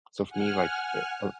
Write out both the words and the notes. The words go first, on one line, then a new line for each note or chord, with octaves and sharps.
So for me, like, yeah, uh
F#5 G#5 F6